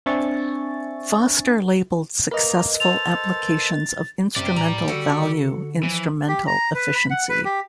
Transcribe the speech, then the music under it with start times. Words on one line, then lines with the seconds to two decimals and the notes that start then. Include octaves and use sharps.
Foster labeled successful applications of instrumental value instrumental efficiency.
0.06 C4 D4 E5 G#5 C#6 A6
2.31 A#3 A#4 B4 D#5 A#5
2.80 A4 C5 A6 F7
4.36 F#2 C3 G4 D5
4.56 A2 A#5
4.88 D3 F#4 A4
5.83 E3 F3
6.29 G4
6.47 A#5
6.75 B4
6.95 B5
7.11 F#5
7.29 B4
7.45 G4